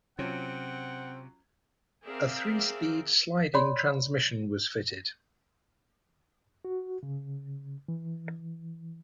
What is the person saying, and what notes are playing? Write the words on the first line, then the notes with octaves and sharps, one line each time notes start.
A three-speed sliding transmission was fitted.
C3 F#3 C4 C#4 F4 F#5
C4 G#4 A#4 D5 E5 F5
C#5 D5 B5 C6
F#4
C#3
E3